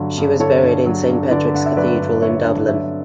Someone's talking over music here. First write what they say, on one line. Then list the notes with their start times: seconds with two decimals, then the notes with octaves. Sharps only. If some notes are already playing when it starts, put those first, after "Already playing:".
She was buried in Saint Patrick's Cathedral in Dublin.
Already playing: G2 D3 F#3
0.18 G2
0.40 D3 A4 C#5
0.63 G2
0.86 F#3
1.09 G2
1.31 D3 B4 D5
1.54 G2 F#5
1.66 E5
1.77 F#3 B4 D5
2.00 G2
2.22 D3 C#5 E5
2.45 G2
2.68 F#3 C#5 E5